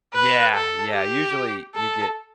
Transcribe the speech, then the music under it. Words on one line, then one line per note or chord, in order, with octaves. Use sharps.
Yeah, yeah, usually you get
B4
A4
G4
A4